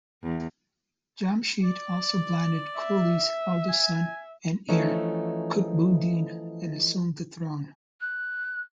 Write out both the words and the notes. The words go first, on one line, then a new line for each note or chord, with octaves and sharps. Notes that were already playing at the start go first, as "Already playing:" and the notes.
Jamsheed also blinded Quli's elder son and heir, Kutbuddeen and assumed the throne.
E2
D5
E5
G#5
E3 F3 A3 C#4 D#4
F#6